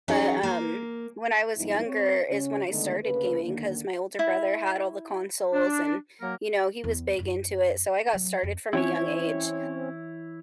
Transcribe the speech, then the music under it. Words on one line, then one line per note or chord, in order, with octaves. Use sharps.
But, um, when I was younger is when I started gaming, 'cause my older brother had all the consoles and, you know, he was big into it, so I got started from a young age
F#3 C#4 D#4 G#4
A#3
G#2 F3 G3 B3 D#4 E4
C4 C#5
C#3 C#4
D3 D#3 G#3 A3 B3 D#4
D2 C#3 A#3 B4
D#2 D3 D#3 A#3
E4
D4
F#3 A#3 A#4
E2
F#2 E4
F#3
F2
E3 C4 C#4 E4 C#5